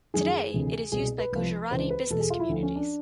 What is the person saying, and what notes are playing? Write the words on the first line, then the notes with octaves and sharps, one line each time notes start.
Today it is used by Gujarati business communities.
F#2 D#3 G#4
D2 C3 E3
C2 B2 G#4
B4
C2 C3 F3
C#2 C#3 E3 C5
B4
E2 B2 A4
G#4
F4
E4
D2 D3 F3
C#4
D4